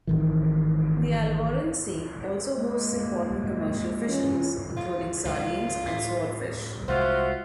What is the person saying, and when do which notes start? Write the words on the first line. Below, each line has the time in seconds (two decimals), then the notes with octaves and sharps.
The Alboran sea also hosts important commercial fisheries, including sardines and swordfish.
0.07 G#1 D#3 E3
2.53 G#3 A#3
4.05 E3 C#4 F4
4.77 F4
5.25 C#2 F4
5.86 A2
6.88 C2 G#3 F4 F#4 C5 E5